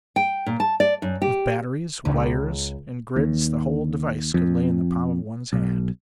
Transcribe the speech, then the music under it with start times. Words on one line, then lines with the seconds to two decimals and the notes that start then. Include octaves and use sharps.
With batteries, wires and grids, the whole device could lay in the palm of one's hand.
0.16 G5
0.46 A#2
0.60 A5
0.80 D5
1.02 F#2
1.22 G4
2.05 C#2
3.16 D#2
4.34 F2
5.53 B1